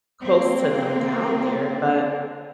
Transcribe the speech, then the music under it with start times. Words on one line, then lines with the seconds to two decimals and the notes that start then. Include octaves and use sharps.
close to them down there. But,
0.21 A#3 C4